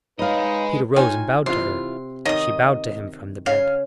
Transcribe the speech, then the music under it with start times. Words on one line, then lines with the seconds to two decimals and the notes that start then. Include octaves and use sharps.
Peter rose and bowed to her, and she bowed to him from the bed.
0.19 G#3 D#4 B4 C#5 D#5 F5
0.96 D#4 F4 C#5 G5 G#5
1.46 C3 E3 E4 F4 C6
2.25 D#3 C#5 D#5 D#6
3.46 C#3 F5